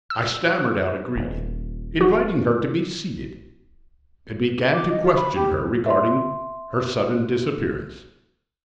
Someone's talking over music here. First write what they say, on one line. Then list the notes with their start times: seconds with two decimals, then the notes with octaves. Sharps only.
I stammered out a greeting, invited her to be seated, and began to question her regarding her sudden disappearance.
0.10 E6
1.16 D#1
2.01 F#4
4.73 D6
4.90 D#5
5.03 F4
5.16 B5
5.35 G4
5.86 E5 C6